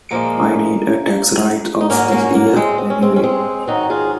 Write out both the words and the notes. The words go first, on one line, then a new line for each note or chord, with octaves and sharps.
I need a tax write-off this year anyway.
A#2 F3 G#3 A#3
D#4
G#2 F#3 A#3 C#4
A#3 C#4
A#3
G#3 C4
C4
C#4
G#3 C4
C#4
G#3 C4
G#2 D#3 F#3 D#4 F#4
F4 G#4